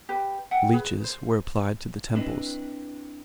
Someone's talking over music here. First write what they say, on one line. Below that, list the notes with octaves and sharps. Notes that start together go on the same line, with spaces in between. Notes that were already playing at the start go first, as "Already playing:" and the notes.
Leeches were applied to the temples.
G4 B4
E5 F#5 G5 A5
G#4 B4
C5
C4 D4 E4 B4 D5 D#5